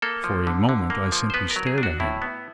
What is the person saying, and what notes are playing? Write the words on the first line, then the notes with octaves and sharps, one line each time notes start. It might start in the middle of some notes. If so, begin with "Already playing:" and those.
For a moment I simply stared at him.
A#3 A4
F3
D3
D3
A#3
F3
C5
B3 B4
A#4
F#3
G#4
D4
F#4
A2 E4
B3